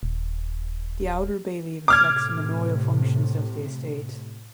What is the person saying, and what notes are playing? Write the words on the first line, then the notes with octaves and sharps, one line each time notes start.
The outer bailey reflects the manorial functions of the estate.
D#1
A2 C3 D6 F6 G#6